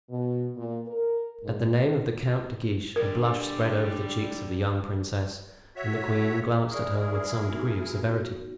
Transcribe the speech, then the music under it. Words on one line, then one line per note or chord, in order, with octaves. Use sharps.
At the name of the Count de Guiche a blush spread over the cheeks of the young princess and the queen glanced at her with some degree of severity.
B2
A#2
A#4
G#2
D3 G3 A#4
F#4 C#5 E5
E4 G#4 A#4 D5 C#6 D#6
B3 D#4 F#4